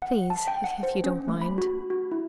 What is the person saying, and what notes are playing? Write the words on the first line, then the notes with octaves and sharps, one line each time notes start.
"Please--if you don't mind."
F#5
A5
G5
F#5
C5
C#4
A3
B5
F#4
F#4
E4